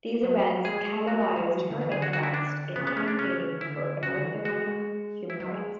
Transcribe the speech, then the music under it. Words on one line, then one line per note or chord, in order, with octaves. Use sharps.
These events catalyzed her interest in campaigning for Eritrean human rights.
F#3
G#3 G#4
A3 F#4
G#3
G#3
F#3
E3
D3
E3
D3 G#4
F#4
F#4
E4
D4
C#3 B3
B3
C#4
D4
C#4
E3
D3 E4
C#3 F#4
D3
E3
G#3 F#4
E4
F#3
G#3